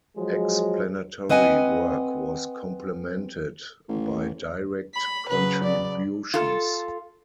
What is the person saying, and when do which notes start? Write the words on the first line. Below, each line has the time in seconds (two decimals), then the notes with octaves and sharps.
Explanatory work was complemented by direct contributions.
0.17 F3 F#3 G#3
1.29 C4 B4 D#5 F#5 G#5
3.89 A1
4.94 B5
5.29 C#3 F#3 B4
5.64 D5
6.34 F4 A4